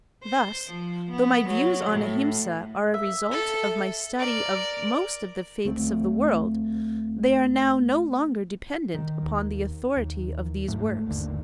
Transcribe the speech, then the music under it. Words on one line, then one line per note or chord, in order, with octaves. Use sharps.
Thus, though my views on Ahimsa are a result of my study of most of the faiths of the world, they are now no longer dependent upon the authority of these works.
C5
F3
B3
F#3
A2
E5
A4
A#4 D5
D2 A3 C4
D#3
D#2
D#2
F#1 G#2 A3
G1 D#2 D3